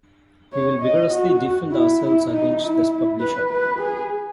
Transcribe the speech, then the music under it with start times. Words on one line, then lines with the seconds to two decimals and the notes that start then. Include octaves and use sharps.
We will vigorously defend ourselves against this publisher.
0.53 C#5
0.82 D#5
1.12 F#4
1.72 E4
2.01 E4
2.31 D#4
2.61 E4
3.20 B4
3.50 B4
3.79 G#4